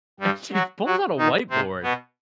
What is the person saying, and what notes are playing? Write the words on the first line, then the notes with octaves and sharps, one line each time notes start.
and she pulls out a whiteboard
G2 G3
F#3 F#4
F#3 F#4
D#3 D#4
C3 C4
B2 B3